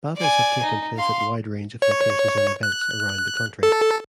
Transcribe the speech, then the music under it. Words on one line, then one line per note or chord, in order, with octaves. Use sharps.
Battles have taken place at wide range of locations and events around the country.
D5 G#5
D#4
F5 C6
C#5
F#6
A4